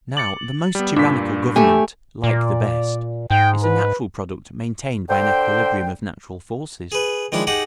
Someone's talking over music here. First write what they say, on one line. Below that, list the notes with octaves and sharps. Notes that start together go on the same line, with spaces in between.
Now the most tyrannical government, like the best, is a natural product maintained by an equilibrium of natural forces.
D6 A6 C#7 F#7
G3 B3
G2 A#2 D4 B6
A3 G4 G#5
A#2 D5
G#2 G5
B4
D3 C5 G5
G#4 B4
D#3 F3 G#3 D4 E4
D#4 G4 G#4 F#5